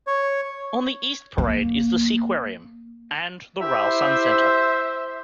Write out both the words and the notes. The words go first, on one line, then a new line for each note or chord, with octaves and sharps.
On the East Parade is the SeaQuarium and the Rhyl Suncentre.
C#5
A#3
E4 G4 C5 E5